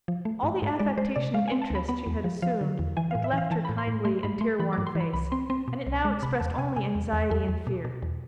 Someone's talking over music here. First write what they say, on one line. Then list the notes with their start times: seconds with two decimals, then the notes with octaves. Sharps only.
All the affectation of interest she had assumed had left her kindly and tear-worn face and it now expressed only anxiety and fear.
0.08 F3
0.25 A3
0.43 G#2
0.62 G#2
0.79 G#3 D5
0.98 G#3 C5
1.16 C3 D5
1.34 G#3 F5
1.48 G#5
1.52 C4
1.62 A5
1.70 D2 B5
1.89 B3 B5
2.06 E2
2.24 F3
2.42 F3 F5
2.61 D3
2.79 E2
2.97 E3 G#5
3.11 F5
3.15 A2
3.24 E5
3.33 E3 F5
3.51 E3 A5
3.65 B5
3.69 A2
3.78 C6
3.87 A2
4.05 A3 C6
4.23 G#2 B5
4.41 A3 C6
4.60 E3 B5
4.73 D6
4.78 G#2
4.87 C6
4.95 E3
5.00 B5
5.14 C2 B5
5.32 C4 C6
5.50 C4 C6
5.68 B2
5.87 C2
6.05 G#3
6.22 C3 B5
6.40 E2 A5
6.58 C3 G#5
6.76 C3 G#5
6.95 E2
7.13 E2
7.30 E2 A4
7.48 E2
7.67 B2
7.85 B2
8.02 E2